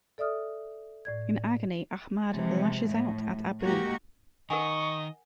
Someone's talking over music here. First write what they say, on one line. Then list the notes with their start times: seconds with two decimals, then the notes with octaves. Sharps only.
In agony, Ahmad lashes out at Abu.
0.18 A4 D5 E5 D#6 F6
1.05 A2 D5 G#6
2.34 C3 E3 F3 G#3
2.88 A2
3.63 G#3 A#3 D#4 F#4 G4 A#4
4.50 D#3 A#4 D#5 F#5 G#5 C#6